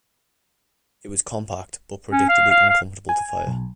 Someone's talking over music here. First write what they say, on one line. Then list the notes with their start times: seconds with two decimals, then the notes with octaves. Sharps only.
It was compact but predictably uncomfortable to fire.
2.12 C#4
2.29 F5
2.51 F5
2.70 F5
3.09 G#5
3.47 B1